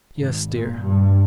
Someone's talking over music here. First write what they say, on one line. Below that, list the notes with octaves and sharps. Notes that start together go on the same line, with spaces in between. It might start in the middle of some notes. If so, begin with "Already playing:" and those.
"Yes, dear!"
G#1
A#2
G2